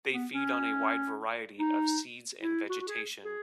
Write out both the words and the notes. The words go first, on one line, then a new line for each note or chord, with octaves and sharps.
They feed on a wide variety of seeds and vegetation.
B3
C#4
D#4
E4
F#4
F#4
G#4
G#4